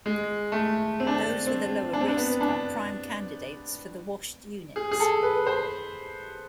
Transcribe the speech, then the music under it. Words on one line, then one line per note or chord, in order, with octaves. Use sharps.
Those with a lower risk are prime candidates for the washed units.
G#3
A3
C4
D4
C4
C4
D4
C4
D4
B3
D4
G#4
G#4
A4
B4
C5